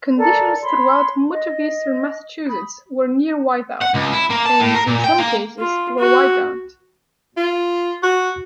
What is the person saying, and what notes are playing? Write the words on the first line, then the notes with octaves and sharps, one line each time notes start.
Conditions throughout much of eastern Massachusetts were near-whiteout and, in some cases, were whiteout.
A4 A#4 D5
C#5 B5 C6
D#5
B5 D#6
F#5
C#2
E4
A#3
A5
A2
A#4
A#2
G5
A#3
F4
F#4
F4
F#4